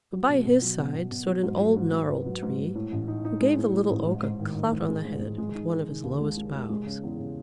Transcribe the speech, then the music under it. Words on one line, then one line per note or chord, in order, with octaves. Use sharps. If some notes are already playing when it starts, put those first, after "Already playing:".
But by his side stood an old gnarled Tree, who gave the Little Oak a clout on the head with one of his lowest boughs.
F#3
B2
B2
F#3
B2
B2
B2
F#3
G#2
F#3
G#2
G#2
B3
F#3
G#2
G#2
A2
A1
D#4
D#4
G#3
A2
D#4
A1
G#2
G#2
D#3
D#3
G#2
G#3
G#2
G#2
G#3
D#4
D#3
D#3
D#2
G#3
G#3
G#3
G#3
C#3
E2
C#3